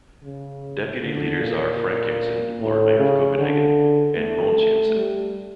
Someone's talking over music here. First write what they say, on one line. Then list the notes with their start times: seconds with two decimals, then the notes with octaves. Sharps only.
Deputy leaders are Frank Jensen, Lord Mayor of Copenhagen; and Mogens Jensen.
0.24 C#3
1.03 D3
1.41 A#2
2.60 A2
2.99 C#3
3.39 D3
4.17 A3
4.96 G3